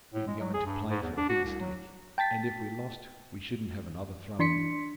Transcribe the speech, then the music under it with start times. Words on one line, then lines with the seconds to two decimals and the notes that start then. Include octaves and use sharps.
We were going to play for a big stake, and if we lost we shouldn't have another throw in.
0.14 A2
0.27 G#3
0.40 F#3
0.54 G#4
0.66 G2
0.89 G#2
1.02 E2
1.17 D4
1.29 F#4
1.45 C2
1.60 F#3
2.18 G5 A5 A6 B6
4.39 E3 D4 C6 B6 C#7